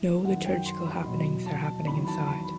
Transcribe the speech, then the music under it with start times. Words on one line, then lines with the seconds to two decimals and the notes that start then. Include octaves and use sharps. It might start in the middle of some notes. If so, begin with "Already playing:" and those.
No liturgical happenings are happening inside.
Already playing: E3
0.25 F#2 D#3 F#3 F#5
0.45 G5
0.65 C6
0.86 B5
1.06 E2 B2 F#3
1.46 A5
1.86 E2 D#3 F#3 B5
2.07 A5
2.27 B5